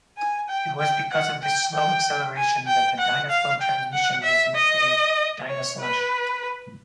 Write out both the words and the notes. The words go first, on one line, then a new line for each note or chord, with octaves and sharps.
It was because of this slow acceleration that the Dynaflow transmission was nicknamed Dynaslush.
G#5
G5
G5
F#5
G5
G5
G#5
G5
F#5
F5
G5
F#5
E5
D#5
C#5
B4